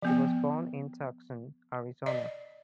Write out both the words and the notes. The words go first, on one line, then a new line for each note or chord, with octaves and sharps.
She was born in Tucson, Arizona.
F3 B3 G5
D5 D#5